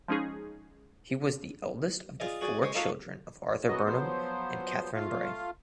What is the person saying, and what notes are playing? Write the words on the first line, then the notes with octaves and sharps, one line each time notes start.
He was the eldest of the four children of Arthur Burnham and Katharine Bray.
F3 G#3 C#4 D#4 G#4
F4 G#4 D5 D#5
F#4 G#4 D5 G#5
G#3 C5 C#5
D#4 F4 A4 C#5 F5 F#5
F#2 F#3 B3 F#4 D#5
F3 F#3 B3 C5
A3 F4 F5